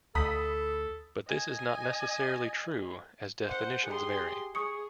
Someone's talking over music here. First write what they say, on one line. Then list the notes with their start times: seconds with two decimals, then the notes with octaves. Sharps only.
But this is not necessarily true, as definitions vary.
0.15 D2 A4 B5 D#6 B6
1.27 D#5 G#5
3.47 C5 F#5
3.86 G4 G#4 C6
4.55 G#4 C#6 D#6 C#7